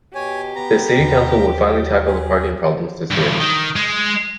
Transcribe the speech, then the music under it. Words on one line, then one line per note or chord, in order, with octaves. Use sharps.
The city council would finally tackle the parking problems this year.
B2 G4 C#5 G#5
B3 A#5
D#2 B3
F#3
G#4
E2 G2
D#3
G#3